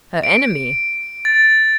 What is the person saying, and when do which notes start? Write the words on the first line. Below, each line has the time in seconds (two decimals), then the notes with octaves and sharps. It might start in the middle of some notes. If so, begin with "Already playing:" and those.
"Her enemy?"
0.23 D7
1.25 A6